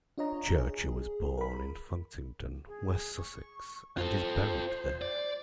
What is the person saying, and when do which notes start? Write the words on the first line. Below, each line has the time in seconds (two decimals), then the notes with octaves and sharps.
Churcher was born in Funtington, West Sussex and is buried there.
0.18 D4 F4 C#5 D#5 A#5
0.58 G#4
1.37 A#4 B5
2.68 G#4
3.17 C#6
3.98 F4 A4 C5
5.02 D5